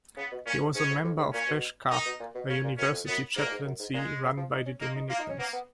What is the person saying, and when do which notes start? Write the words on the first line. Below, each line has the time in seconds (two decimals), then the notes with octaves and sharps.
He was a member of Beczka, a university chaplaincy run by the Dominicans.
0.17 C#3 B3
0.31 B2
0.46 A#2 C#4
0.60 G#2
0.75 G#2 C#4
0.90 F2
1.04 F2
1.18 G#2
1.33 A#2 C#4
1.48 B2
1.91 D#3 D#4
2.06 B2
2.20 A#2
2.35 B2
2.48 C#3 C#4
2.64 A#2
2.78 F#2 C#4
2.92 F2
3.06 F#2 B3
3.35 G#2 A#3
3.45 A#2
3.50 G#2
3.65 F#2
3.80 G#2
3.94 A#2 G#3
4.23 C#3
4.37 F3
4.52 D#4
4.66 C#4
4.80 A#3 D#4
4.95 D#4
5.09 A#3 F4
5.20 D#4
5.29 C#4
5.39 A#3 B3
5.53 B3